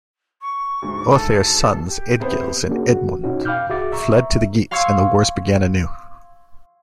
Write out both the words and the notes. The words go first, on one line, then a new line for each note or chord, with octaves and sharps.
Ohthere's sons Eadgils and Eanmund fled to the Geats and the wars began anew.
C#6
D2 G#2
A4
G4
C3 B3 C5
A#3 C#4 D4 F#4 G#4
F#4
B2 C#4 D#4 F#4
F5 G5 B5 D6 F6 G6
C#2 F#4 G#4 E5 D6 A6
E5 A#5 C#6
F5 C6 C#6 E6 G#6 C#7